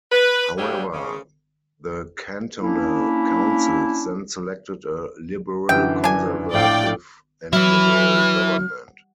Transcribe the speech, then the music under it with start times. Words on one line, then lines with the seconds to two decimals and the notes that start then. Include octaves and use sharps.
However, the cantonal councils then selected a liberal-conservative and liberal government.
0.12 B4
0.57 F#3 G3 A#3 D4 G4 G#4
0.92 C#3
2.61 A#3 C#4 D4 E4
5.69 F#2 D3 E3 G5
6.04 D4 G#5
6.52 A#1 A2 D5 F5 G5
7.53 F#3 E4 B4 F6